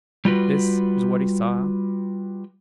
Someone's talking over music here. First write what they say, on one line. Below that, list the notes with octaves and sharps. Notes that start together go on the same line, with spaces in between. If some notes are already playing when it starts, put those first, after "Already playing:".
This is what he saw.
G3 F4 F#4 B4